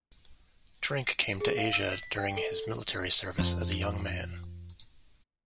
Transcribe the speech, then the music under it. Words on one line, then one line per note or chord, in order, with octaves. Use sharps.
Trink came to Asia during his military service as a young man.
G#4
F5
E6
B6
G5
A4
F2 F3